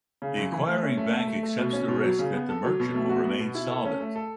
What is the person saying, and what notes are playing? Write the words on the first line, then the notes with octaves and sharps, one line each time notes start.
The acquiring bank accepts the risk that the merchant will remain solvent.
C#3
F#2
E3
A3
C#4
A3
A4
A3
A3
B2
C#4
B2
F#3
C#3
B3
A4
F#3
B2
A3
F#4
B3
B2
E4
A4
C#4
A3
A4